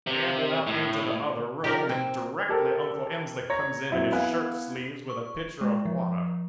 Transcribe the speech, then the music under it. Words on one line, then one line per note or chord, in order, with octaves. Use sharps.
She ambled out into the other room, and directly Uncle Emsley comes in in his shirt sleeves, with a pitcher of water.
C3
A2
F3 D#4 F4 G4 A#4
C4
G4 A4 A#4 C5
C#5 A#5 A#6
F#3 C4 E4
B3 E4 F5 G#5 F#6
C#6
G#3
F3